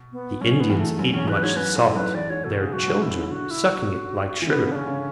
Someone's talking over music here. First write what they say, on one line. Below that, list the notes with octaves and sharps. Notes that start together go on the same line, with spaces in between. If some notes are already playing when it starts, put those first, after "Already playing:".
The Indians eat much salt, their children sucking it like sugar.
Already playing: B2
B3
F#2 C#4
B3
E2
A3
F#2 B3
D4
E2 C#4
F#2 B4
G#2 C#5
F#2 B4
A2 A4
F#2 B4
E2 D5
G#2 C#5
B2 A4
C#3 G#4
F#2 F#4
F#2
F#2 E4
G#2
D3 F#4
E4
F#4
E3
D3 B3
C#3
D4
C#4
C#3